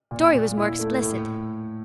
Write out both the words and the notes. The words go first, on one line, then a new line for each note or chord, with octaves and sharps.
Dorry was more explicit.
A#2
A#2
E4
A3
A2